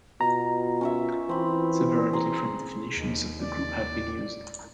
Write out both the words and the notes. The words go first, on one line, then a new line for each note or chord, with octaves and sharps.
Several different definitions of the group have been used.
B2 F4 A#5
C#4 C#5 E5
E3 C4 B5
G#4 A#5 C6
D#2
D5